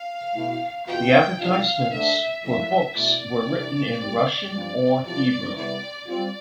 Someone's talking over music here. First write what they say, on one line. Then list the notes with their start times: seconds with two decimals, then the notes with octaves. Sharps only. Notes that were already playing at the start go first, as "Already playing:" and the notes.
The advertisements for books were written in Russian or Hebrew.
Already playing: F5
0.36 B2 A3 E4
0.88 E2 B2 B3 F4 G5
1.39 C2 B2 G3 D4 F4 F5
1.91 D2 D3 A3 E5
2.44 A2 F3 A3 E4 E5
2.96 B2 A3 E4 D5
3.48 C2 C3 E3 G3 D4
4.00 A2 G3 C4
4.52 G2 F3 C4 F4
5.04 C2 C3 F3 D5
5.56 C2 C3 G3 B3 E4 D5
6.08 G3 C4 F4 D5